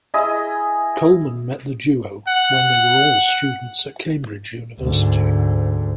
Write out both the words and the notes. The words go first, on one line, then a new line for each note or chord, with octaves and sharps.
Colman met the duo when they were all students at Cambridge University.
E4 G#4 D#5
F#5
D2 G#2